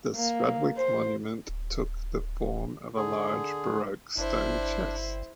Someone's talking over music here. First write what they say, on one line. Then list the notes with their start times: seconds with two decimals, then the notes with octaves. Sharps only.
The Strudwick monument took the form of a large Baroque stone chest.
0.16 A#3
0.77 C5
1.48 D1
2.96 D3 G#4
4.17 G1 D4 E4 C5